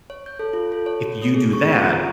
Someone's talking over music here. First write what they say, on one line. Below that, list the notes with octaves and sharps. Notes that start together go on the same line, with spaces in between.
"If you do that,
C#5
G6
A4
F4
A4
C#5
F#4
A3
G#4
C#6
F4
A#5